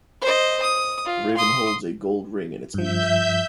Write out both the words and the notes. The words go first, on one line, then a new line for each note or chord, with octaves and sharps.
The raven holds a gold ring in its beak.
C5 D#5
D#6
F4
C6 D#6
G2 F3 E5 G6